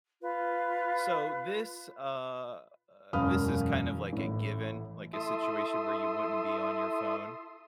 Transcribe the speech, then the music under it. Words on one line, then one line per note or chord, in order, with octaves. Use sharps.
So, this, uh, uh, this is kind of like a given, like a situation where you wouldn't be on your phone,
F4 B4
E1 F#2 F5 B5 D#6 F6
A1 A2
E4 A4 E5 C6 D#6